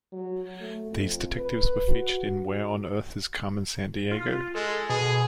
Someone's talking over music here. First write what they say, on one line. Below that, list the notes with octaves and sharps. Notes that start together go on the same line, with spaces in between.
These detectives were featured in Where on Earth Is Carmen Sandiego?
F#3
A3
F2
B4
F#4
F4
G#3 A4
B2 G#4